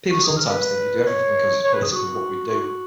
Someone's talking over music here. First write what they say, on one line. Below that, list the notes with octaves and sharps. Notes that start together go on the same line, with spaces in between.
People sometimes think we do everything because it's politically what we do.
F#4
G#4
A#4
B4
C#5
C#5
B4
G#4
F#4
F#4